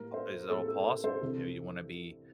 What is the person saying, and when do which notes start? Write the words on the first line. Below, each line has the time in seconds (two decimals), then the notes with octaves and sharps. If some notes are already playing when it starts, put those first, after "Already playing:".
at as all possible. You know, you wanna be
Already playing: A2 G3 A#3 A#4
0.14 A4 C5
0.49 A2 G3 A#3 A4
0.68 A4
0.86 A#4
1.04 A4 C5
1.21 C2 C3 E3 G3 D4 A4